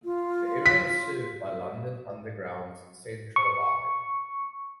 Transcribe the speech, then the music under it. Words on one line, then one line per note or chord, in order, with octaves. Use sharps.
The area is served by London Underground's Central Line.
F4
B6
C#6